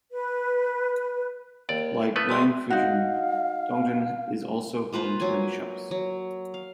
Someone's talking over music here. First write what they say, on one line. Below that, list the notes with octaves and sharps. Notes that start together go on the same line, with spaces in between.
Like Wangfujing, Dongdan is also home to many shops.
B4
D#2 D5
A3 B3 B4
G#2 G3 E5 C6 D#6
D#4 F#4 F5
A#3 F4 B4 C5
F#3 G#5
F#3
F5